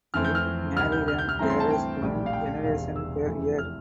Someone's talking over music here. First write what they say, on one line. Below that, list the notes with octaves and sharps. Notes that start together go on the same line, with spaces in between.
In Maryland there is one generation per year.
F2 E3 A3 C4 F6
G6
F6
D2 C3 G3 F6
G6
F6
G6
F6
G2 E3 A3 C4 A#5
C6
A5
G5
A#1 A2 G3 D4
F5
G5
E1 E2 C3 F5
E6
F2 C3 E3 A3
F6